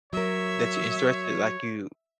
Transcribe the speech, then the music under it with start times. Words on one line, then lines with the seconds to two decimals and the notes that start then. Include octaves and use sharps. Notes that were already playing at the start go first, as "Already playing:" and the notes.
that you're interested like, you
0.13 F#3 A#4 C#5 E5